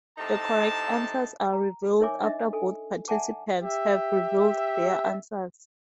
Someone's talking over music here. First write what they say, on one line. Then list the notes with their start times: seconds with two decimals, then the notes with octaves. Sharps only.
The correct answers are revealed after both participants have revealed their answers.
0.18 A2 C3 D#4 A5
1.53 A#5
2.00 D#4 A#4 C#5 E5 G#5 D6
2.24 D4 D#4 D#5 E5
2.53 A4 G#5
3.08 D5 E5 F#5 G#5 A5 D6
3.61 G4 E5